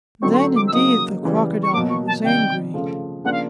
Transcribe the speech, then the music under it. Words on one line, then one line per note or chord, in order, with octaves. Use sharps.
Then indeed the Crocodile was angry.
D3 F#3 A3 C4 D#4 C#6
C6
C#6
D6
E6
C#3 F#3 A#3 D#4 D#6
C#3 E3 G3
C#6
B2 F#3 A#3 D6
C#6
A5
C3 D#3 G3 G5
C#3 F3 A3
C#3 F3 A#3 D4 F#5
F5